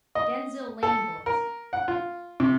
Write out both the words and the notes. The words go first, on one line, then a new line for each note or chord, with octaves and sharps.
The Denzille lane boys.
D#5
A4
A#4
F#5
F4
C3